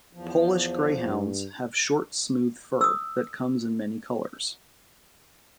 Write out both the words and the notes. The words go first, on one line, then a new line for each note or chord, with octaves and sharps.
Polish Greyhounds have short, smooth fur that comes in many colors.
E2 F3
G2
D#6 E6